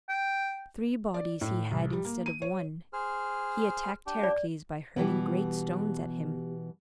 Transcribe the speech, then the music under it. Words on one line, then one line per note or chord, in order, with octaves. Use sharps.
Three bodies he had instead of one; he attacked Heracles by hurling great stones at him.
G5
D5
A2
C2
G3
A#3
D#7
C#5
G#4 C5 F6
D4 G4
D5
B2 E3 G3 B3 G4